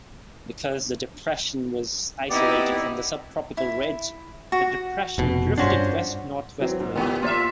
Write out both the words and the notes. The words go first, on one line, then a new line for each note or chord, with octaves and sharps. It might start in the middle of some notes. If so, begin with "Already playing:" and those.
Because the depression was isolated from the subtropical ridge, the depression drifted west-northwestward.
B3 C4 D#4 E4 G4 D5
E4
F#4
F1 B2
G2 C#4 D4 F4 F#4 C5
E3 F#3 C4
G#2
A2 E3 B3 G4
A#3 F4 C#5 E5